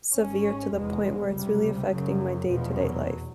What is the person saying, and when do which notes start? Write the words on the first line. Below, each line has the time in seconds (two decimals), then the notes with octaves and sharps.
severe to the point where it's really affecting my day-to-day life.
0.14 G#1 G#2 C#4
0.72 F1 E2 B2 G#3
1.31 C#2 C3 G3
1.90 F#1 F#2 C#3 F#3
2.49 F1 E2 B2 F3
2.78 F#3